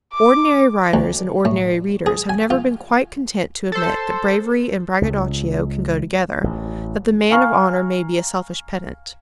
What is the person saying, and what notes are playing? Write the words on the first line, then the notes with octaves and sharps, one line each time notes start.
Ordinary writers and ordinary readers have never been quite content to admit that bravery and braggadocio can go together, that the man of honour may be a selfish pedant.
D6
D2
A2
G#4
G#5
F4
A4 C5
C#2
A1
F5 G#5 A#5 C#6 F6